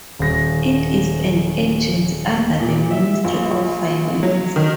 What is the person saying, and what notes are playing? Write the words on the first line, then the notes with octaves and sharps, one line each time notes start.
It is an agency under the Ministry of Finance.
D#1 A#6
A#2
E5
A#1
F#3
D#3